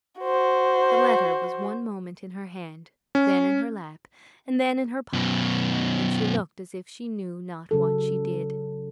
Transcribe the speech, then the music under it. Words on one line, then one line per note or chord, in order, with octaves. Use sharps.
The letter was one moment in her hand, then in her lap, and then in her pocket; and she looked as if she knew not what she did.
F#4 C5
C#4
F#2 B2
C#3 F#3 A4